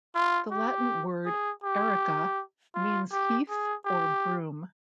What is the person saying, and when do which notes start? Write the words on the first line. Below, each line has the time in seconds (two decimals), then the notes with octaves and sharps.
The Latin word "erica" means "heath" or "broom".
0.15 F4
0.51 G4
1.25 G#4
1.64 G4
2.75 F4
3.12 G4
3.49 G#4
3.85 G4